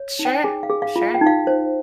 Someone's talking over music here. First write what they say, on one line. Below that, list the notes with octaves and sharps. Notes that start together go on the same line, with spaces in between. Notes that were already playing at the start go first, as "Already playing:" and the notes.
Sure. Sure.
Already playing: C#5
D#4
G5
G#4 G#5
F5
G#4
F5
F4
F5
G5
D#4
F5
C5